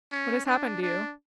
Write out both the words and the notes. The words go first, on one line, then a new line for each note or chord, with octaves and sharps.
What has happened to you?
C#4
D4
D4